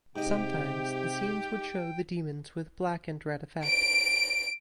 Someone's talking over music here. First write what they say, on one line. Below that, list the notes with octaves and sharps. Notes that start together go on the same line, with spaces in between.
Sometimes the scenes would show the demons with black and red effect.
G#2 C3 G4 D#5 G5
D7